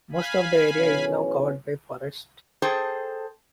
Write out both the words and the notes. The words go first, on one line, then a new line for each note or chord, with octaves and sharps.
Most of the area is now covered by forest.
F5 G#5 B5
B1 E3 C#4
G#4 A4 C5 G5 A5